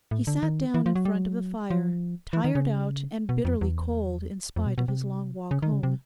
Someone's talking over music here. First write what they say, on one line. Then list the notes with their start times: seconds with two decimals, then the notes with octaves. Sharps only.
He sat down in front of the fire, tired out and bitterly cold in spite of his long walk home.
0.11 A2
0.27 D3
0.43 D#3
0.74 E3
0.86 F3
0.95 F#3
1.05 G3
1.15 F#3
1.70 F3
2.33 E3
2.44 D#3
2.55 C#3
3.29 B2
3.45 F2
3.61 E2
4.56 F2
4.66 B2
4.78 B2
4.88 C3
5.51 C#3
5.62 D#3
5.72 C#3
5.83 C3